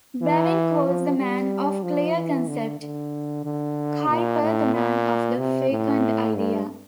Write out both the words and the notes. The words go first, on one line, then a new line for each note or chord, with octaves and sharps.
Bavinck was the man of clear concept, Kuyper the man of the fecund idea.
E3
F3
G3
F3
E3
D3
D3
D3
A#2
A2
A#2
C3
A2
G2